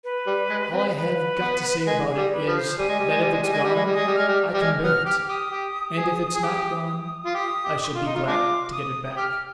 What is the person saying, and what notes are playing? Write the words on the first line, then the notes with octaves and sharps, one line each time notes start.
'All I have got to say about it is, that if it's gone, I can bear it; and if it's not gone, I shall be glad to get it back.'
B4
G3
G#3
C4
B4
B3
G#3 G#4
G#4
G3
B4
F3
C5
G3 G#5
G#3
G3
G#3
G3
G#3
G3
G#3
G3 B5
G#3
G3
G#3 D#6
G3
G#3 F6
G3
G3
G#3 F6
B3 F6
G4 F6
G4 D#6
G4
G#4
G#4
G4
F4
G4 D#6
G4
D6
C6
F4
D#4
F4
G#3 D4 F4 D6
D#6
G4 F6